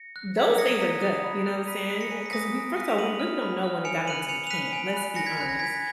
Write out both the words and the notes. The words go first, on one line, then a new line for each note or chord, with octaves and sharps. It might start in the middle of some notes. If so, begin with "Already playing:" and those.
those things are good, you know what I'm saying? 'Cause we first of all, we really don't know when it got into the can, let's be honest,
Already playing: A#6 C#7
F#6
A#5 G#6 B6
D#6 F#6 A#6 C#7
A#5 B6 D#7
D#6 F#6
B5
F#6
B5 B6 D#7
B6 D#7
F#6
A#6 C#7
G#5 B6 D#7
B6
D#6 F#6 A#6
G#5
D#6 F#6 B6 D#7
F7
B5 D#7 F#7
F6
B5
F6
G#5 C#7 F7
B5 F#6 D#7 F#7
G#5 C#7 F7
F7
B5 F#6 B6 D#7
G#5
B5 F#6
G#5 A#6 C#7
G#6 B6
B5 F#6 G#6
A#6
G#5 G#6 B6